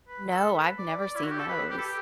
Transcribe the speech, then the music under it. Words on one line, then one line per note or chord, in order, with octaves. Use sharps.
No, I've never seen those.
B4
A4
B4
D5
D5
E4
F#4
G4
A4
B4
G4
A4
G4